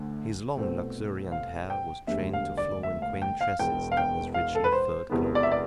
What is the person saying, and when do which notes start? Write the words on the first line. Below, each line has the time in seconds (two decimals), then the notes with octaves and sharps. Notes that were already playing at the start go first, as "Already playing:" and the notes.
His long luxuriant hair was trained to flow in quaint tresses down his richly furred cloak.
Already playing: D2 D3
0.57 C2 B2 A3 C4
1.32 F5
1.70 G5
2.07 E1 D2 D3 G3 E5
2.33 F5
2.57 D5
2.83 E5
3.02 F5
3.22 G5
3.41 F5
3.59 E1 E2 B2 G5
3.92 F5
3.97 G5
4.34 F5
4.55 A4
4.64 B4
4.72 C5
5.10 E1 E2 C3 E3 B3
5.35 D5
5.43 E5
5.52 D5